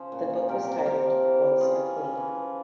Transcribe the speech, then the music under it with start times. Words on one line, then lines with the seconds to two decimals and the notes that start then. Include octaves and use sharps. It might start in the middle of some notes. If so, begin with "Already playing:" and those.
The book was titled Once A Queen...
Already playing: C#3 F3 C#4 G#4 C5
0.12 A#2
0.30 A#2
0.49 C3 G4 A#4
0.68 C3
0.86 C4 G4 A#4
1.05 F3
1.24 E3
1.42 E3
1.61 C#4 F4 G#4
1.80 G3
1.99 C#4
2.17 E3
2.35 F3